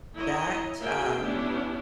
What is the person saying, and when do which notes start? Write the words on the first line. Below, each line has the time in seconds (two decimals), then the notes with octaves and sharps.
that, um,
0.16 E4 C#5 D#5 A#5
0.80 A#3 F#4 G#4 A#4 E5 G5
1.21 B3 C#4 D4 E4 G4